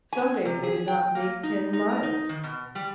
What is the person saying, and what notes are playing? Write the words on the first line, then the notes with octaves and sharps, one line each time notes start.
Some days they did not make ten miles.
G#5
C3
G#4
G5
A#3
D#4
D#4
A#4
D#4
D#3
B2
G3